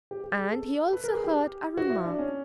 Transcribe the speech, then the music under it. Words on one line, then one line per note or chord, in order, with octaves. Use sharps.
And he also heard a remark.
G4
G4
G#4
A4
B4
A#4
G#4
G4
F#4
E4
D4
C#4